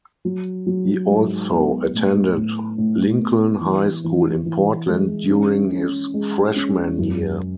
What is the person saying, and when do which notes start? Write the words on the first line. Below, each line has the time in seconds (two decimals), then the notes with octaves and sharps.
He also attended Lincoln High School in Portland during his freshman year.
0.25 F#3
0.66 F#3
1.09 G#2
1.51 B3
1.93 A2
2.35 A2
2.78 A2
3.19 B3
3.61 E3
4.04 E3
4.46 E3
4.88 G#3
5.30 C#4
5.72 C#4
6.14 G#3
6.56 C#4
6.98 F#2